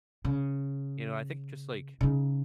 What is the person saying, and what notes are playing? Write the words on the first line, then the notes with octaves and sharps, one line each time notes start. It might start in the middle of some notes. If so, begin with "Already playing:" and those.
you know, I think just like,
C#3
C#3 D#4